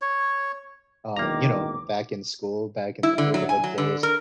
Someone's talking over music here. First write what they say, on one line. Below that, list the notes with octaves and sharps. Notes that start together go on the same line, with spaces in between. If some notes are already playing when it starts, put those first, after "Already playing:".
um, you know, back in school, back in the neighborhood days,
C#5
E1 D#3 A#3 A#5 D6
E4
D3
F#3
G#5
F#3
D3
A#4